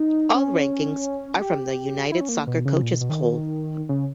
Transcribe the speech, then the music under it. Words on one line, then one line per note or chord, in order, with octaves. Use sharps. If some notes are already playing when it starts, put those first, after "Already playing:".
All rankings are from the United Soccer Coaches Poll.
Already playing: D#4
C#4
G4
E4
C#4
A#3
B2
C#3
A#2
B2
B2
D#3
C#3